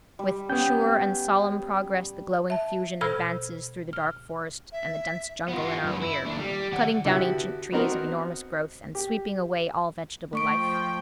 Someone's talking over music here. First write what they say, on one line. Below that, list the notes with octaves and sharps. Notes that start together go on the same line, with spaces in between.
With sure and solemn progress the glowing fusion advances through the dark forest and the dense jungle in our rear, cutting down ancient trees of enormous growth and sweeping away all vegetable life.
G3
B3 C#4 G5 G6
E5 A5
B2 A4 C5 E6 F6 G#6
F6
E5
B3 F4
F#2 B4
E4
D#2 D4
G3
D#3 F#5
D3 B3 E4 F#4 G4
B3 C4 D4 D#4 F#4 A#4
G4
F3 A3 G5 C#6 D7